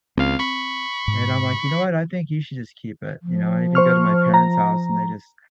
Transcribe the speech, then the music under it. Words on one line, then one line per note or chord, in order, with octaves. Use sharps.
And I'm, like, "You know what? I think you should just keep it." You know, I even go to my parents' house and they just
C#2 C4 F5
B5 C#6
G#2
F3
C5 C#6 F6
A#5